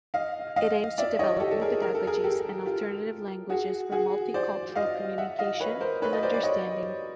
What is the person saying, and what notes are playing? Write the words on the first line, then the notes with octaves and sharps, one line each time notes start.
It aims to develop new pedagogies and alternative languages for multi-cultural communication and understanding.
D#5 F5
D#5 F5
D5 E5
C#5 D#5
G4 A4
A4
G#4 A#4
A#4
A4
G#4 A#4
G4 A4
F4 G4
F#4 G#4
F#4 G#4
C5 D5
D#5 F5
E5 F#5
D#5 F5
B4 C#5
A#4 C5
B4 C#5
D#5
C5 D5
D5
C#5 D#5